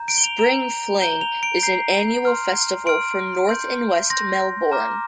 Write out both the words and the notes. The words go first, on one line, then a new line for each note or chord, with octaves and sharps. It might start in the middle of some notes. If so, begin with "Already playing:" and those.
"Spring Fling" is an annual festival for North and West Melbourne.
Already playing: A#5 G6
D7
G7
F7
A#5 G6 F7
A#5 G6 G7
F7
D7
A#5 G6 C7
C6 F6
C6 F6 D7
C6 G6
C6 G6 A#6
A#5 D6 F6